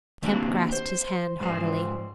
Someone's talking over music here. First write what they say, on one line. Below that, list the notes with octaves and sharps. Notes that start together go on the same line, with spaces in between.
Kemp grasped his hand heartily.
D#3 A#3 C4 D4 F#4 G4
C5
G#2 F3 C5